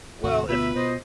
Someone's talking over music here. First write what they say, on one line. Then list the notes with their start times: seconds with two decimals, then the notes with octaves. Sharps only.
Well, if
0.24 D#2 A2 C3 F#4
0.49 D2 B2 B3 F4 B4 E5
0.76 B2 C5 D#5